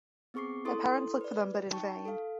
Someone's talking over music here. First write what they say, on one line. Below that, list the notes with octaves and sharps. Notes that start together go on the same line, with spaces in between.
Their parents look for them but in vain.
B3 C4 G#4 C#6 D6 C7
E4 A4 C6 D#6
B4 D5
D#4 G5 A5 C#6
A4 F5